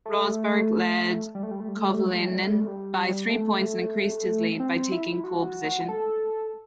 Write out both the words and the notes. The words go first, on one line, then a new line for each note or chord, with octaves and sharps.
Rosberg led Kovalainen by three points and increased his lead by taking pole position.
A3
G3
A3
G3
A3
G3
A3
G3
A3
G3
A3
G3
A3
G3
A3
G3
A3
G3
A3
C4
E4
F#4
A4